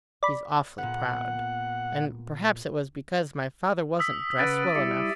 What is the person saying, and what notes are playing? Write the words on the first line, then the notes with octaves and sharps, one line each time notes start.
He's awfully proud; and perhaps it was because my father wasn't dressed well enough.
D5 B5
A#2 B3 F#5
D#6 E6 B6
C#3 B4 F#5 A6 D7 D#7
G3 E4 D6 C#7